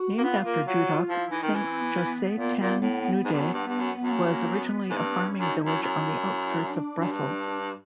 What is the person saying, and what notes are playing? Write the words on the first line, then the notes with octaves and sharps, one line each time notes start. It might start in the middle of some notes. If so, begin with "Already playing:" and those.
Named after Judoc, Saint-Josse-ten-Noode was originally a farming village on the outskirts of Brussels.
Already playing: F#4
A#3
B3 F4
A#3
F#3
F3 E4
E3 D#4
D#3
E3 C#4
C4
B3
B3
A#2
A#2
A2 B3
B3
G#2
G2
F#2
G2
G2
F#2
F#2
A#3
A#3
B3
G#2
G2 A#3
C4
B3
C#4
F#2 D4
D#4
E4
F#2
E4
F#2
D4
F#2
G2